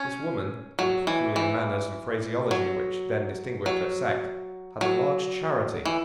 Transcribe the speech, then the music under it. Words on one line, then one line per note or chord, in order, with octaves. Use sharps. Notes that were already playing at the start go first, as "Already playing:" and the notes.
This woman, with the peculiar manners and phraseology which then distinguished her sect, had a large charity.
Already playing: C#4
F#3
E3
E3
F#3
F#3
F#3
E3